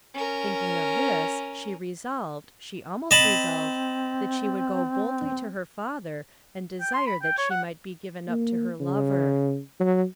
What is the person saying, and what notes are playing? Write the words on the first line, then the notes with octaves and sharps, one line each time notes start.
Thinking of this she resolved--she almost resolved--that she would go boldly to her father and desire that she might be given up to her lover.
C#4 A#4
C4 D#5 A5 B5
G5
C6
B5
G5
C#5
F#5
A#3
C#3
F#3